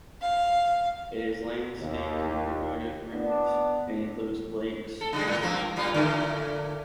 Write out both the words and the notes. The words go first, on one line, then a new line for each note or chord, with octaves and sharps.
It is landscaped in Bermuda Greens and includes lakes and sand traps.
F5
D#2
B3 D4
A4
C#3 G3 G#3
A2
F3 A#3 C4
A#2 G3 F4
A#2 D3 A3